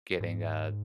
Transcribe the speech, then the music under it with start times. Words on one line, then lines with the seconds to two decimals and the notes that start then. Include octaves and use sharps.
getting a,
0.20 G#2